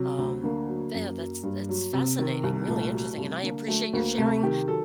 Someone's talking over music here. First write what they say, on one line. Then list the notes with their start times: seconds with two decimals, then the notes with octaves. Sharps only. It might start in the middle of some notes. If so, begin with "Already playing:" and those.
um, they, uh, that's that's fascinating, really interesting, and I appreciate your sharing
Already playing: C3 F#3
0.18 D2
0.43 D3 A#3
0.68 F#3
0.94 F#2
1.18 F#3
1.43 G2
1.69 F#3
1.93 C3
2.19 D#3
2.43 C2
2.68 A#2 A3
2.93 F#3
3.18 C2
3.43 D3 A#3
3.67 F#3 A3
3.93 D2 A#3
4.17 C3 A3
4.43 D#3 G4
4.68 F#3 A4